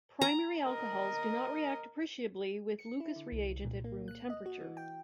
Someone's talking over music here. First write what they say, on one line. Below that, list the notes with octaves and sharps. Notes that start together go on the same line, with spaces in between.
Primary alcohols do not react appreciably with Lucas reagent at room temperature.
A#5
A#4 D#5
C#7
E4
D3
C2
A#2
A#3
F#6
D#5
F#4
E3
G5